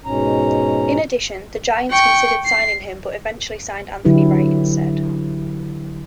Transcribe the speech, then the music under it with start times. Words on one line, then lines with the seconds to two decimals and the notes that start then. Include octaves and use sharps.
In addition, the Giants considered signing him but eventually signed Anthony Wright instead.
0.05 G#2 B2 C#4 A#5
1.91 G5 C#6
2.46 C7
4.05 D3 F#3 E4 G4 B4